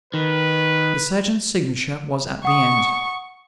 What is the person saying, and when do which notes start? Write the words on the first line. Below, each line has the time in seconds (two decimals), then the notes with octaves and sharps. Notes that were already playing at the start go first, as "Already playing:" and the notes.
The surgeon's signature was at the end.
0.14 D#3 B4
2.45 F#5 C#6 D#6